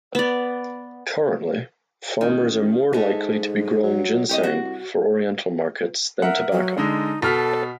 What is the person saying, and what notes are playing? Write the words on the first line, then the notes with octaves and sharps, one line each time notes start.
Currently, farmers are more likely to be growing ginseng for oriental markets than tobacco.
B3 D5
A1 D#3
G#2 G#3 A3
F#3
C2 G4 C#5 D#5
F#4
A#4 E5 F#5
F#3
D3 G#3 D#4
B2 A4 F6 B6